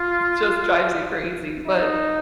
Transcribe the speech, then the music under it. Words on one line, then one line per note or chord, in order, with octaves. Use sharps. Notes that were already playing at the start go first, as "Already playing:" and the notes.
just drives you crazy, but
Already playing: F4
D#4